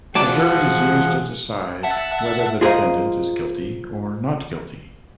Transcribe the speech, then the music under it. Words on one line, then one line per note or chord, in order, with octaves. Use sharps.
A jury is used to decide whether the defendant is guilty or not guilty.
E3 F3 F#4 G#4 D5 F#5 A5
E5 F#5 A5
F4 G#4 A#4 C5 D#5 F5